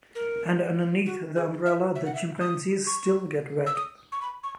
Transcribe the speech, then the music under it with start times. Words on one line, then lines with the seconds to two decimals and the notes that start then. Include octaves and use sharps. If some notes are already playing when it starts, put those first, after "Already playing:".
And underneath the umbrella the chimpanzees still get wet.
0.15 A#4
1.06 F#4
1.36 G#4
1.66 E5
1.95 E5
2.05 F#5
2.15 E5
2.41 D#6
2.87 C#6
3.66 E6
3.76 D#6
4.12 C#6
4.22 B5
4.44 C#6